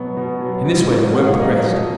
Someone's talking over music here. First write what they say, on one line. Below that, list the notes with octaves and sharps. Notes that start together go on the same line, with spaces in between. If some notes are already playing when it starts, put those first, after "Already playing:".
In this way the work progressed.
Already playing: B2 F#3 B3
B2
F#3 B3
G#2
F#3 A#3
G#2 F#5
F5
F#3 A#3 D#5
C#5
F2 D#5